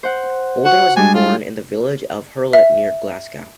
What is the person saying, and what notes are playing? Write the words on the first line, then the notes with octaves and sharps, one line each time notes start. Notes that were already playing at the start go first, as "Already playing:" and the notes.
Holden was born in the village of Hurlet near Glasgow.
C5 F#5
F#4 F#5
G3 G#3 D4 G#5
F4
E5